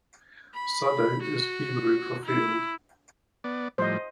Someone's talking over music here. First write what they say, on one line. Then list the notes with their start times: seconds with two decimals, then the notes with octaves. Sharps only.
Sadeh is Hebrew for "field".
0.54 B5
1.22 F#4
2.25 E4
3.44 B3 D5
3.78 A2 F3 G3 C5 D#5